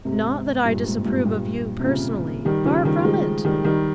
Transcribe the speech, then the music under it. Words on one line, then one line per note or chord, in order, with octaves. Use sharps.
Not that I disapprove of you personally--far from it.
G#2 C3
G2 A#2
G#2
G2 A#2
G2 A#2
C3
A#2 C#3
D#3 G3
C#3 F3
D#3 G3
F3 G#3
D#3 G3
D#3 G3